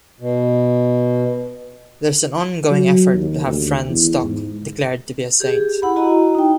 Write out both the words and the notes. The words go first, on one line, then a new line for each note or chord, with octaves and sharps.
There is an ongoing effort to have Franz Stock declared to be a saint.
B2
F#3
D#2
D2
E2
G#2
G4 G#4
E4 F#5 B5
E4 F#4 D#5 A#5
D#4 G5